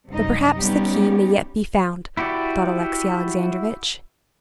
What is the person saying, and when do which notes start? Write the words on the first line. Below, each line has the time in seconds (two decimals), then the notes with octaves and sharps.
"But perhaps the key may yet be found," thought Alexey Alexandrovitch.
0.10 F#2 C3 G3 D#4 D#5
0.60 G3 B3 C#4 D#4 G4
2.17 E4 F#4 G4 D5